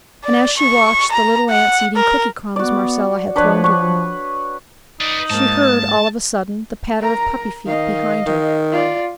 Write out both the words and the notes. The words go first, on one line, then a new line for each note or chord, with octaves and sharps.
And as she watched the little ants eating cookie crumbs Marcella had thrown to them, she heard all of a sudden the patter of puppy feet behind her.
D5
C#6
A#5
F#5
A#4
B3 F#4 D5
F3 D4 B4 C#5
C#6
D#4 B4 D5
G#2 A#3 A5
A#4 A#5
D#3 D#5 F5
D#3
F4 D5